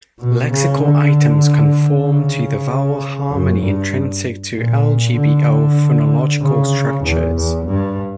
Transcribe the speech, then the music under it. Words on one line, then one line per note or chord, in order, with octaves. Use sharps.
Lexical items conform to the vowel harmony intrinsic to Igbo phonological structures.
B2
C#3
D3
C#3
F#2
G2
A#2
D3
C#3
E2
E2
G2